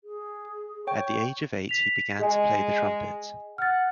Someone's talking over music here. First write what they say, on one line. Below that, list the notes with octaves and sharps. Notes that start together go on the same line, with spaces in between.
At the age of eight, he began to play the trumpet.
G#4
C#5 G5 C#6
B6 F7
G#3 G#4 D#5 G#5
F#5 F6 A6